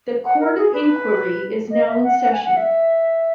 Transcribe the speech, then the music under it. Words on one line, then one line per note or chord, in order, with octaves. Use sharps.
The court of inquiry is now in session!
F#5
A#4
G#4
B4
D#5
E5
F#5
F#5
G#5
F#5
E5